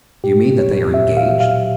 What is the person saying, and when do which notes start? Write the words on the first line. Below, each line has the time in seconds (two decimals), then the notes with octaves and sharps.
"Do you mean that they are engaged?"
0.24 A#2 G4
0.47 F#3
0.59 C#5
0.70 F#3
0.94 A#2 E5
1.17 A#2 F5
1.40 F#3 F5